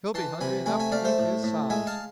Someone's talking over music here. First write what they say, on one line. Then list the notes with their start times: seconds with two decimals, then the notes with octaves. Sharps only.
"He'll be hungry enough to eat his size."
0.14 E3 A5 C6
0.41 C3 G#5 B5
0.66 A3 G#5 B5
0.80 E5 G#5
0.92 A3 D5 F5
1.05 C5 E5
1.18 A2
1.43 A2
1.70 G#3 E5 G#5
1.87 F5 A5